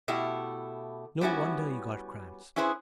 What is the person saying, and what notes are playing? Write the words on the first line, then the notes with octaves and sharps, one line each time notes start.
"No wonder you got cramps."
B2 A3 E4 G4
G3 B3 C#4 E4 F#4
C#4 E4 G#4 B4 C5